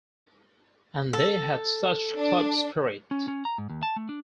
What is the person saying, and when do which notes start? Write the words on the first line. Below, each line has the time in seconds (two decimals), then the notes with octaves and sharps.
And they had such club spirit.
1.13 A4
2.17 D4
3.11 C#4
3.28 C#4
3.45 A#5
3.58 G#2
3.70 D#2
3.83 A5
3.96 A3
4.09 D4